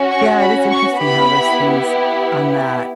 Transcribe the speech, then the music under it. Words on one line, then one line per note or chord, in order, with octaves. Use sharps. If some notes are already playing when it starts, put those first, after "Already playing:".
Yeah, it is interesting how those things on that,
Already playing: C#4 F#4
C#6
B5
C#6
B3 E4 G4 B5